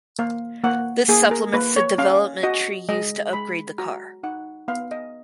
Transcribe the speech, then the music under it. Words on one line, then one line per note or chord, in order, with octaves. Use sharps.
This supplements the development tree used to upgrade the car.
A#3 F5
A#3 F#5
A#3 G#4
A#4
A#3 B4
C#5
C#4 F5
F#4 D#5
G#3 D#5
G#3 B5
F#4 A#5
D#4 F#5
B3 F5
D#5